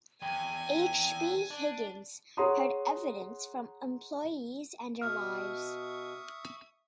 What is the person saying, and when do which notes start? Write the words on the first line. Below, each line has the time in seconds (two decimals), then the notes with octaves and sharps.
H. B. Higgins heard evidence from employees and their wives.
0.22 E2 G5 G#5
1.51 D4
2.37 G#4 C#5 F#5 A#5 C6 D#6
5.02 B2 E5 C#6 D#6 F6